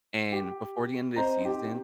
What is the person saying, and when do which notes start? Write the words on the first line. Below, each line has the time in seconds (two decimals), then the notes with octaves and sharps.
and before the end of the season,
0.32 G4
1.16 C4 C5 D#5 A#5
1.41 D#4 G4